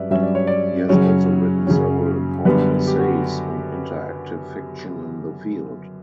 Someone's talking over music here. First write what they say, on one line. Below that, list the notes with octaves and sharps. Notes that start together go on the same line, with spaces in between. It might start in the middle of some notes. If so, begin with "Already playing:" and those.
He has also written several important essays on interactive fiction in the field.
Already playing: G2 F#3 C#4 B4 D5 E5
G2 F#3 C#4 E5
D5
C#5
D5
F#2 C#3 F#3 C#4 C#5
F#2 C#3 F#3 C#4
F#2 D3 G3 B3 B4
G4
F#4